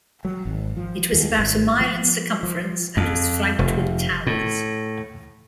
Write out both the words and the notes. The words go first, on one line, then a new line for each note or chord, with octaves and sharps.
It was about a mile in circumference and was flanked with towers.
F#3
G#1
F3
D#2
G#1
F3
F3
F2
F1
A2